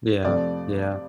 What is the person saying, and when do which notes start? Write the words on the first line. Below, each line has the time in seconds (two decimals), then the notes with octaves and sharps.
Yeah, yeah.
0.25 F2 C3 F3 A3 D5